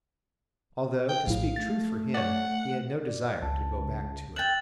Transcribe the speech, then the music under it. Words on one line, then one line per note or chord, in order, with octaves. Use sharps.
Although, to speak truth for him, he had no desire to go back to it.
G5
A#1 A2 G#4 F5
A3 A6
C#5 D5 F#5
D5
C#2 A5
E5 G5 F#6 G6 A6 F#7